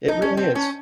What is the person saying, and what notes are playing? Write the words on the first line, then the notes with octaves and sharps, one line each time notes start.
It really is.
D#4
C#4
C4
C#4